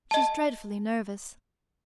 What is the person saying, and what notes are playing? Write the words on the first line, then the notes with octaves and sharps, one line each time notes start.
She's dreadfully nervous.
D#5 A5